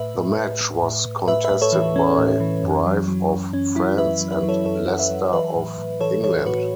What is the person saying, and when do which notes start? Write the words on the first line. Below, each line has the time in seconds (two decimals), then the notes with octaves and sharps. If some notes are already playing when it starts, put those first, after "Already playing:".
The match was contested by Brive of France and Leicester of England.
Already playing: A2 B4 E5
0.16 A2
0.38 A2
0.61 A2
0.83 A2
1.05 A2
1.28 A2 B4 E5
1.44 B4 E5
1.51 A2
1.62 A4 C#5
1.72 E3
1.96 E3 C#4
2.18 A2
2.40 E3
2.63 F#2
2.86 F#3
3.08 F#3
3.31 F#2
3.53 F#2 C#4
3.75 F#3 E4
3.98 F#2 B4 E5
4.21 F#3
4.32 B4 E5
4.43 F#3
4.49 A4 C#5
4.65 F#2 A4 C#5
4.88 F#2 F#5
4.99 B4 E5
5.11 F#3
5.33 E3 B4 E5
5.56 A2
5.78 A2
6.00 E3 A4 C#5
6.23 E3 A4 C#5
6.46 A2 F#4 B4